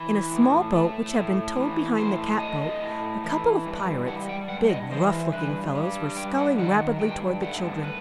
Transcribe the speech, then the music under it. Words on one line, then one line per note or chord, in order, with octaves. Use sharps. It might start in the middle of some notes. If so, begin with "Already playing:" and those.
In a small boat which had been towed behind the catboat, a couple of pirates--big, rough-looking fellows--were sculling rapidly toward the children.
Already playing: E3
A2
A3
A2
E3
A2 C5
A3 D#5
A2
E3
G2
G3 F#5
G5
G2 F#5
D#5
E3 C5
G2 B4
G3
G2 G5
F#5
D#3 F#5
G2 G5
A3 F#5
B4